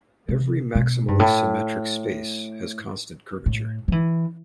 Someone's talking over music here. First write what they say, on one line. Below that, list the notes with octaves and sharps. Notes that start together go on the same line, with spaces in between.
Every maximally symmetric space has constant curvature.
C3
B2
G2
A2
A2
F3
E3